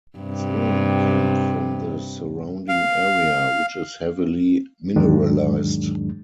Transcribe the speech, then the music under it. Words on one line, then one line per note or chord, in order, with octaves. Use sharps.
Its name came from the surrounding area, which is heavily mineralized.
G2 C3
F5
E2 G#2 D#3 F#3 G#3 D4